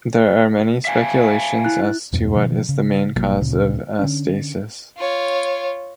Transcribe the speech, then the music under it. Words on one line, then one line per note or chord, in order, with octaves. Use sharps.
There are many speculations as to what is the main cause of astasis.
E5 F5 G#5
E4 F#6
E2 G2 B2 B3
B2 D#3 F3
C#3
G#1 B2 F#3 A#3
D2 A#2 C#3
D3 C#4 D4
F4 C#5